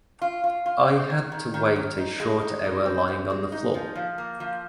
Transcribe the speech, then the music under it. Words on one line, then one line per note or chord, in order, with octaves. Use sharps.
I had to wait a short hour lying on the floor.
F4
F4
F4
C4
D#3
D#3
D#3
D#3
D#4
G#3
D#4
D#4
C4
C4
G#3
D#4
F3
F3
A#3
F3